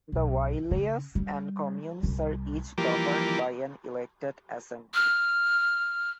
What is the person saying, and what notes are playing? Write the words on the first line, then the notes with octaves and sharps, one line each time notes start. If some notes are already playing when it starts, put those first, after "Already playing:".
The wilayas and communes are each governed by an elected assembly.
B1
C#3
G3
C2 G3
E3 F3 G3 A#3 G4 A#4
F6